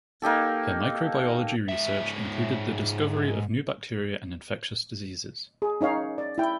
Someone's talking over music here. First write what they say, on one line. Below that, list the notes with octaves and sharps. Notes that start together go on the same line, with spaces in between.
Her microbiology research included the discovery of new bacteria and infectious diseases.
A#3 D#4 G4 A4
G#2 E5
G#4
C#4 D#4 C#5 F5
D5
E4 G5